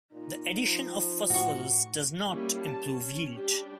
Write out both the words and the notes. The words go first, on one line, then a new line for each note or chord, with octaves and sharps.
The addition of phosphorus does not improve yield.
A#2 D#4
F3
A2 F#4 C#6
G3 A#3 C#4 E4
A5
C#4
G3 D4 G4